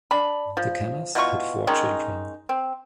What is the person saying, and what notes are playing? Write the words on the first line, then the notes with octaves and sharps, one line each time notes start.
The Kennas had four children.
D4 B5
F3
B2 E4 F4 C#6
D#3 G#3 C#4 D#4
C4